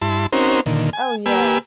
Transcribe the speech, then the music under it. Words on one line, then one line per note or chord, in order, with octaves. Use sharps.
Oh, yeah.
G2 E4 A5 C6
C4 C#4 D#4 F#4 A#4 C5
A#2 D3 D#3
G#5
A#3 G4 B4 G#5 E6